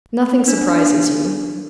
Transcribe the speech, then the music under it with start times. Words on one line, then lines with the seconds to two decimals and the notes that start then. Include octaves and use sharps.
Nothing surprises you.
0.48 D4